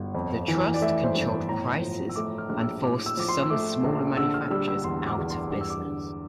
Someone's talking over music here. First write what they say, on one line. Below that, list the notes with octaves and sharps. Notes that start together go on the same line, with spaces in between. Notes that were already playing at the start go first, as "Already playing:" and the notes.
The trust controlled prices and forced some smaller manufacturers out of business.
Already playing: G1
F2
E3
D5
A3 E5
C5
G1
A2 A#5
F3
E6
A3 D6
F6
A#1 F6
E6
A2 D6
E6
F3 D6
C6
E6
A3 D6
A#1
D3 E6
F6
G3 E6
E6
E2 C6
D6
E2
C6
G2 D6
E6
D6
D3